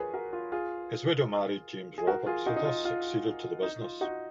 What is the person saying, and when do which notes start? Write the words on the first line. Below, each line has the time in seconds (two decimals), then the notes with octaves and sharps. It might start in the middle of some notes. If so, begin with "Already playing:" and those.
His widow married James Roberts, who thus succeeded to the business.
Already playing: F4 G#4 A#4 B4 C#5
0.14 F#4 A#4
0.33 F4
0.52 F4 G#4
1.98 G#4
2.07 F#4 A#4
2.26 F4 G#4
2.46 D#4 F#4
2.56 D#4
2.65 F4
2.85 F4
3.63 D#4
3.82 F4
4.01 D#4 F#4